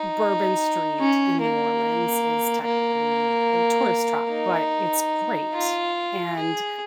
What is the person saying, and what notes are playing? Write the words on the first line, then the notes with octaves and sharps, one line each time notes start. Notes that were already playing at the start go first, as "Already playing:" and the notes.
Bourbon Street in New Orleans is technically a tourist trap, but it's great, and
Already playing: D#4
C#4
A#3
A#3
D#4
F4
G#4